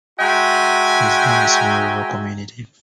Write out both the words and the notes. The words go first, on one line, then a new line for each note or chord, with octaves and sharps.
It is now a small rural community.
G#3 F#4 E5 G5 G#5 A#5